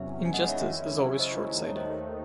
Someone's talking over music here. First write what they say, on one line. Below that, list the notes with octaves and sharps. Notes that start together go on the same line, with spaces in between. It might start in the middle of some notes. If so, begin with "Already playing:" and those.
Injustice is always short-sighted.
Already playing: E2 C3 F#3 C#4 E5
G#5
E2 D#3 G#3 C#4 E4 D#5 F#5
C#5 E5
C#3 F#3 C#4 E4
C5 D#5
D#2 D#3 A3 D#4
C#5
C5 D#5